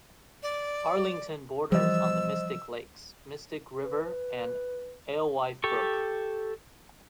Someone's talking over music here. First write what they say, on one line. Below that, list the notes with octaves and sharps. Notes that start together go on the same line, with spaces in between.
Arlington borders on the Mystic Lakes, Mystic River, and Alewife Brook.
D5
E3 F3 G3 C5 D#5 E6
B4
G4 A4 C#6